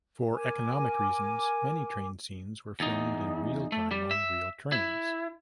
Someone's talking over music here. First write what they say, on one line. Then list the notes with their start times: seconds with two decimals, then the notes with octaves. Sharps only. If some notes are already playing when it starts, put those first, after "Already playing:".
For economic reasons many train scenes were filmed in real time on real trains.
0.35 A#4 G#5 D6
2.80 E2 D#4
3.72 A3
3.91 G3
4.11 E5
4.72 E4